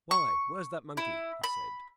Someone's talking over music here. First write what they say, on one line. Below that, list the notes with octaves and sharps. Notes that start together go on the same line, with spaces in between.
"Why, where's that monkey?" he said.
C#6
E4
B5